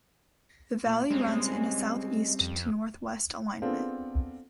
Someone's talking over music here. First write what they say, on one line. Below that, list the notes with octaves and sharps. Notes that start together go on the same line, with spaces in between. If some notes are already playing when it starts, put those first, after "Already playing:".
The valley runs in a southeast to northwest alignment.
A#2
G3 G#3 C4 C#4
F2
B3 C4 D4 F4 G#4 A4